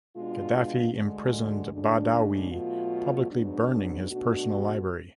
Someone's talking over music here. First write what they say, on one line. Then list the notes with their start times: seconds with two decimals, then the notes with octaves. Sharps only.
Gaddafi imprisoned Badawi, publicly burning his personal library.
0.15 B2 G#3 D4 F4
0.93 D2 D3 G#3
1.72 D2 C#3 G#3 D4
2.51 B2 F#3 A3 F4
3.30 G#2 F#3 B3 D4
4.09 B2 A3 D4 F#4